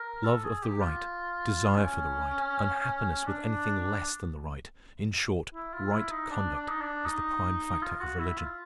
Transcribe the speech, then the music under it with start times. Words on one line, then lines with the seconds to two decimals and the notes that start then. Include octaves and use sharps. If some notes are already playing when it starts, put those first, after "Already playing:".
Love of the right, desire for the right, unhappiness with anything less than the right--in short, right conduct, is the prime factor of religion.
Already playing: A#4
0.25 A4
0.44 G#4
0.63 G4
0.81 F4
1.75 C#4
3.26 D4
5.54 E4
5.73 F4
5.92 E4
6.11 D#4
6.30 D4
6.55 D4
6.69 D#4
6.81 D4
7.06 D#4
7.82 F4
8.01 F#4
8.19 E4
8.38 F4